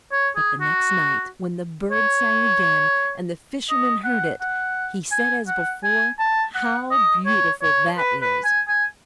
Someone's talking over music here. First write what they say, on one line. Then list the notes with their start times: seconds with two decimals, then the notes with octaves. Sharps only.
But the next night, when the bird sang again, and the Fisherman heard it, he said as before, "How beautiful that is!"
0.12 C#5
0.36 G#4
0.61 F#4
1.91 C#5
3.70 D#5
4.04 F#5
4.41 F#5
5.11 G#5
5.48 F#5
5.84 G#5
6.19 A5
6.55 F#5
6.91 D#5
7.26 C#5
7.62 C#5
7.98 B4
8.22 B4
8.44 G#5
8.68 G#5